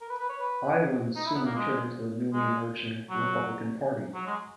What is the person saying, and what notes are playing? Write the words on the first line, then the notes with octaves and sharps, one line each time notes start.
Iowans soon turned to the newly emerging Republican Party.
A#4
B4
B4
C#5
B4
D#4
E4
B3
A#3
G#3
G#3
F#3
F#3
G#3